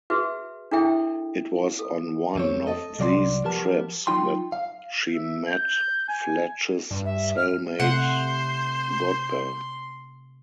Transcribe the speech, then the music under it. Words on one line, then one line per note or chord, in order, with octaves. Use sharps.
It was on one of these trips that she met Fletch's cell-mate Godber.
F#4 G#4 B4 E5
D4 E4 G#4 A4 E5 G5
A4
F2 C4 C#5
A4 D#5
C2 F#3 D5 F5 C6
F3 B3 G4 A#4 A5
F#3 D#4 F4 G5 C6
F5
E5
G6
G#5
G2
E5
F6
C3 A3 C5 F#5 C6